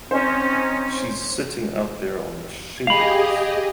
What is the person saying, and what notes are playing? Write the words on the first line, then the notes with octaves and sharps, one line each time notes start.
She’s sitting out there on the shingles.
C4 C#4 D#4 C5 C#5
G4 G#4 D#5 F5 B5